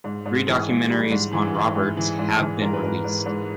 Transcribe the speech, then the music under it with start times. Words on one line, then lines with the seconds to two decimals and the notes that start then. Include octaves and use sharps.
Three documentaries on Roberts have been released.
0.04 G#2
0.26 G#2
0.47 E3
0.69 G#2
0.90 G3
1.11 G#2
1.33 E3
1.55 E3
1.75 G#2
1.97 E3
2.19 G#2
2.40 E3
2.61 G#2 A#4
2.73 B4
2.83 G#2 A#4
3.04 G#2
3.26 G#2